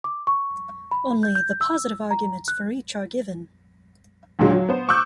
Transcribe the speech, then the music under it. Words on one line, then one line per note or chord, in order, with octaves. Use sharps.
Only the positive arguments for each are given.
D6
C#6
B5
G6
G6
E6
A#5
F#6
D#2 A#2 D3 F#3 G#3
F#3
B3 C5
C#6 D6 E6 F#6 G6